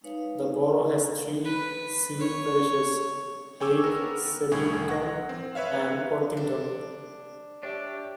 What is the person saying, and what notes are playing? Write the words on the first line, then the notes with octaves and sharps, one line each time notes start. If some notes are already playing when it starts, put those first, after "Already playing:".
The borough has three civil parishes: Haigh, Shevington and Worthington.
G#3 D#4 B4 C#5 F5
B4
C#5
C#5 G5 G#5 C#6 D6 E6
B3 A#4
C2 A2 G#5 C#6 G#6
F#5 A#6
C4
B4 C#5 E5 F5
D4
D4 G4 C#5 E5